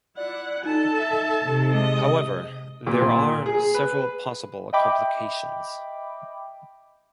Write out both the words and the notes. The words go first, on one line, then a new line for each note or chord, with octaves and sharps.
However, there are several possible complications.
E4 D5 F#5
D#4 A4 A5
E5
C3
G#3 D#5
A#2
A#2
G#4
B4
D#5 E5 G5 B5 D6